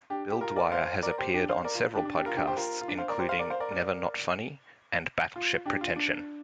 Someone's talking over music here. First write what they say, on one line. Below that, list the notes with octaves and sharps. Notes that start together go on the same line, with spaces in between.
Bil Dwyer has appeared on several podcasts, including "Never Not Funny" and "Battleship Pretension".
D4 G4
G4
F4 A#4
A#4 D5
C5 F5
A#4 D5
G4 C5
D4 G4
C5 F5
A#4 D5
F4
D4 G4
D4
D4 G4
F4 A#4
D4 G4
G4 C5
F4 A#4
F4
D4
C5 F5
A#4 D5
G4 C5
C5 F5
A#4 D5
C5 F5
A#4 D5
A#4 D5
F4
D4 G4
F4
D4